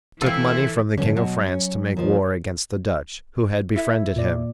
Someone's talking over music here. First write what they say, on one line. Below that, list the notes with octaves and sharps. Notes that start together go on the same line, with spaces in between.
He took money from the King of France to make war against the Dutch, who had befriended him.
E3 C4 E4 F4 A4 E5
G2 D3 F3 C#4
B2 F#3
C#4
D#2 F3
E4 A4 E5
A#2 D5